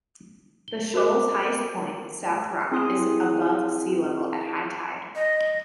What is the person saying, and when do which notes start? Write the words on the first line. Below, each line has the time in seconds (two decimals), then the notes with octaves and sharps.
The shoal's highest point, "South Rock", is above sea-level at high tide.
0.68 G7
0.94 F#4 A#4 C5 D6
2.72 C4 E4 G#4 G#5 C6 D#6
5.15 D#5